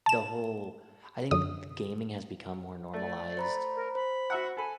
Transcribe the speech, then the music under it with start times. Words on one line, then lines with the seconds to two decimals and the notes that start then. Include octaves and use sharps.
The whole I think g g gaming has become more normalized,
0.06 A5 E7
1.31 F#2 D3 D#6
2.93 A3 D5
3.37 C5 A#5 B5
3.75 A#4
3.95 C5 B5
4.30 F#4 E5 F#5
4.57 A4 G#5 B5